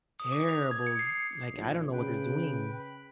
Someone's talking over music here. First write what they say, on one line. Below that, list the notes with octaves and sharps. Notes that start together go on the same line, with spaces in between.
Terrible, like, I don't know what they're doing.
D#6
D6
F7
G#6
C#7
C7
A#1
C#3 B4 G5
B5